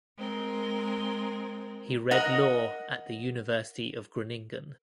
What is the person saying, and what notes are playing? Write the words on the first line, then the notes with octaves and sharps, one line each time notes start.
He read law at the University of Groningen.
G#3 C4 A#4
A#4 D#5 F#5